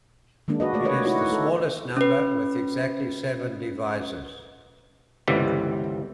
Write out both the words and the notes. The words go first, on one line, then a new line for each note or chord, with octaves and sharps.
It is the smallest number with exactly seven divisors.
D#3 G#3 A#3 D4
F#4 B4 D#5
A3 F#4 D5
B4 C#5 D#5
D#4 E4 F#4 C#5
A3 A4
C#4 B4
G1 C#2 C3 E3 G3